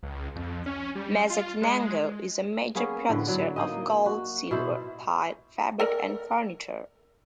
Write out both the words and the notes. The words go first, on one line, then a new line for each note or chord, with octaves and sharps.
Mazatenango is a major producer of gold, silver, tile, fabric, and furniture.
C#2
F2
C#4
G3
F4
G#3
A#3 B3 C#4 G#4
A2 D3 B3
A2 F#3 D5
A#3 D#4 D#5
F#4
B2 E4 C5
A4 A#4 D5